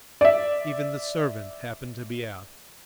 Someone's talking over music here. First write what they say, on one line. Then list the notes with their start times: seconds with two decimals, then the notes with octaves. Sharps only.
Even the servant happened to be out.
0.21 D5 E5